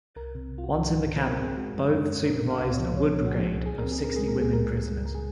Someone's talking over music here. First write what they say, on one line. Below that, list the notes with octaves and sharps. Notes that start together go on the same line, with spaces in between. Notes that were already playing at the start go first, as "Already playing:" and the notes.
Once in the camp Bothe supervised a wood brigade of sixty women prisoners.
C2 A#4
C3
C2
F4
F#4
C2
G#2
G#2
C4 C5
A#4
G#2 G#4
G#3 F#4
F#2
F#2
C#4
C3 A#4
C3
F5
C#2
C#5
F3
C2 C#5
C3
F#4
F3 G#4
C2
C#2 G#4
A#4
C4
G#4
C4 A#4
G#3 G#4
A#4
C#2
G#4
G#3 A#4
G#4
G#3
C#2
G#3 A#4
G#4